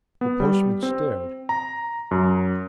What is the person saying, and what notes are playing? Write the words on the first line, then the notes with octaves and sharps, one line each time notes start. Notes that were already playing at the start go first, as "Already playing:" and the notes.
The postman stared.
B3
G3
C4
A#5
F#2